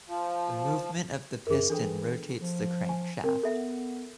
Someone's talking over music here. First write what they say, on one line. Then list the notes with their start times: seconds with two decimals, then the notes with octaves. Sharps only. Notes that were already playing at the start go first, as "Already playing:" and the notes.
The movement of the piston rotates the crank shaft.
0.08 F3
1.47 F#2 G#4 A#4
1.70 E3 D4 A4 G5
2.39 F3
2.89 G#5
3.24 C4 A#4
3.43 B3 A4 E5 F#5